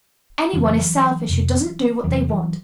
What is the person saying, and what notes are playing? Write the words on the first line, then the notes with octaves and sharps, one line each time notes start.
Any one is selfish who doesn't do what they want.
F2 C#3 E3 F#3
F2 C3
E2 C3 E3 F#3
E3 F#3